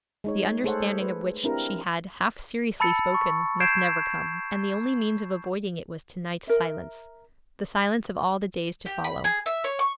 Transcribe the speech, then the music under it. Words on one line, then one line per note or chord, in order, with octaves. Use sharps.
The understanding of which she had half-seriously spoken must never come, and the only means of avoiding it was to-night's silence, the silence of all the days to follow.
G#3 D#4 C#5
A3 G#4 A4 C5 C#5 F#5
B4
C4 D4 E4 G4 A#4
A5 B5 E6 A6 C#7
C#6
G6 G#6 C7 D7 E7
A#4 E5
G4
B5
G#4
E5
C#5
C#6